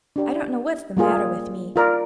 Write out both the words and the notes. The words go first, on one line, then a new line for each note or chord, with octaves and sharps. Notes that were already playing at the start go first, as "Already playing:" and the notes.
I don't know what's the matter with me.
D4 G4 D5
G3 A#3 F4 G#4
F4 A#4 D5